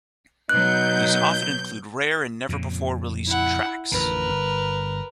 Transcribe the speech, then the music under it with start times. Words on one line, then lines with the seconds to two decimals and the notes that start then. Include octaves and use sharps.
These often include rare and never-before-released tracks.
0.49 B2 F#3 D#4 F#6 G6
2.49 F2 A#2 C#3
3.27 E4 F#5
3.92 A1 F2 D3 A#4 B4
4.29 G1